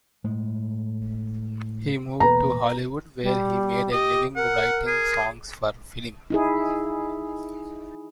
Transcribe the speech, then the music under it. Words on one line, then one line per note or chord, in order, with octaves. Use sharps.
He moved to Hollywood where he made a living writing songs for film.
A2 G#3
E1 B2 A#3 B4 A#5
G3
G4 D#5
A#4 F#5
G#4
D#4 E4 G#4